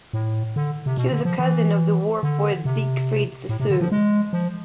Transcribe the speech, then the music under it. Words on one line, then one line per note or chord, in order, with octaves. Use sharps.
He was a cousin of the war poet Siegfried Sassoon.
A2
D3
C3
B2
D3
F3
E3
D3
C3
A2
C3
D3
F3
G#3
F3